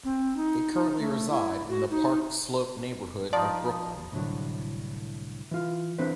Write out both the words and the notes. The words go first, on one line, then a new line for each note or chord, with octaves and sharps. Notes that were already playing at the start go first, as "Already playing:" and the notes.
They currently reside in the Park Slope neighborhood of Brooklyn.
C4
D#4
D#4
A3
E4
F#4
D#4
F3 D#4 D5
C2 A2 D3 F3 F#3
E3 F4
E3 C4 D4 B4 C5